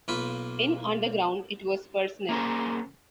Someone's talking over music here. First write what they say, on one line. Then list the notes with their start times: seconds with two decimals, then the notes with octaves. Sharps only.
In "Underground", it was personal.
0.08 B1 A#3 F4 B4 B5
2.29 A#3 C#4 G#4 C5